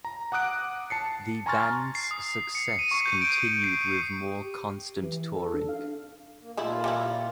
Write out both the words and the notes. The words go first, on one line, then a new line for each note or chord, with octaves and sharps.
The band's success continued with more constant touring.
A#5
F#5 D6 D#6 F#6 D7
A5 C7 C#7
G#5 A#5 C6 C#6 F6 A6
C7
D#6
C#7
D#7
C#6
G6
D7
C7
G4
G4
E3
A4
D4
F5
A#3
A#2 D#3 A3 E4 F4
E3 G3 E4